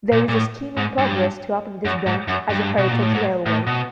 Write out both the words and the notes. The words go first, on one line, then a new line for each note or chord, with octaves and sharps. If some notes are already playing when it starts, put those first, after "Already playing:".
There is a scheme in progress to open this branch as a heritage railway.
A#2
A#2
A2
G#2
G2
F#2
G#2
F#2
G2
B2
A#2
A2
G#2
A2
B2